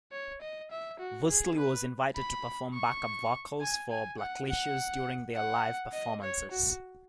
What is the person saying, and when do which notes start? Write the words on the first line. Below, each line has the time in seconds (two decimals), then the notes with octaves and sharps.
Vursatyl was invited to perform backup vocals for Blackalicious during their live performances.
0.12 C#5
0.41 D#5
0.71 E5
0.99 F#4
1.29 G#4
1.58 B4
2.16 B5
2.74 C#6
3.61 G#5
3.91 G#5
4.19 F#5
4.48 F#5
5.35 F#5
5.93 D#5
6.22 C#5
6.51 F#4